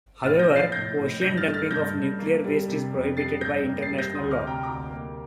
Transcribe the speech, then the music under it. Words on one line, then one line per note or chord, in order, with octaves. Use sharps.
However, ocean dumping of nuclear waste is prohibited by international law.
A2 F6 A6
G6 A#6
F3
A6 C7
A2 G6 A#6
A2
G2 G6 A#6
F6 A6
A3
F6 A6
G2 G6 A#6
G2
A#3
G3
C3
F2
G3 A6 C7
G2 G6 A#6
A#3
A6 C7
G3
G6 A#6
D2 C6 D#6
D6 F6
C3
G5 A#5
D2 A#5 D6
A#3